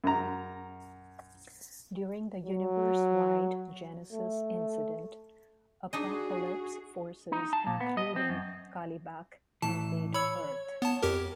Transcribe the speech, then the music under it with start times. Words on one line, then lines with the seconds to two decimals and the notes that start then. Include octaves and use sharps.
During the universe-wide "Genesis" incident, Apokolips forces, including Kalibak, invade Earth.
0.04 F#2 A#5
2.46 F#3
4.13 A3
5.93 D4 D#4 F#4 G#4 D#5
7.32 D#4
7.53 A5
7.67 A#2
7.81 B3
7.97 D#5
8.16 C4
8.29 F#2
9.62 A2 E3 A5
10.14 C#5 B5 E6
10.82 B3 A5
11.03 F2 G4 A#4